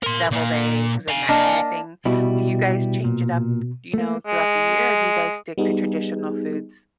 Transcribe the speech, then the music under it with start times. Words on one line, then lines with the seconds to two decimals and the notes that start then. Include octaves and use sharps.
deviled eggs and that kind of thing. Do you guys change it up, you know, throughout the year, or do you guys stick to traditional foods?
0.03 A#4 C6
0.31 A#2 A#3
1.09 F5 G#5
1.29 A#3 D4 D#5
2.05 B2 G3 E4 G4
3.04 A#2
3.94 A3 A#3
4.26 G#3
5.58 G3 B3 D#4 G#4